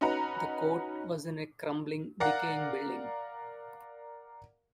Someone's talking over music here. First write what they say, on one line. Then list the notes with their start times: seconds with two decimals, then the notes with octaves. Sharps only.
The court was in a crumbling, decaying building.
0.01 C#4 D#4 F#4 B4 A#5
2.20 A#4 D5 F5 F#5